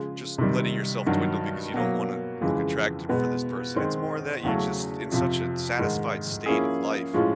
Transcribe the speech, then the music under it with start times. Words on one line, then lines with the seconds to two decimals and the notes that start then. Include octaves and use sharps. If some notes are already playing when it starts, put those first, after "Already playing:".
just letting yourself dwindle because you don't want to look attractive for this person. It's more that you're just in such a satisfied state of life
Already playing: C#3 F3 G#3
0.38 C3 D#3 G3
1.06 G2 D#3 F#3
1.74 B2 F#3 A#3
2.41 F2 C#3 E3 G#3
3.09 B2 G#3 B3
3.76 D#3 G#3 C4
4.43 E2 C#3 F#3 A3 C#4
5.12 F2 C3 F3
5.79 G#2 D#3 G#3
6.46 F3 A#3 C#4 E4 G#4
7.13 A2 F3 G#3 C#4 F4